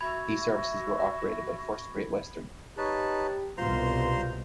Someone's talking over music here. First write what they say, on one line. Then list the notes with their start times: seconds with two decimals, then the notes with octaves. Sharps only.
These services were operated by First Great Western.
0.01 F#4 E5 B5 G#6
2.78 D#4 G4 B4 C#5 A5
3.58 C2 G2 B2 F4 C5 A#5 C6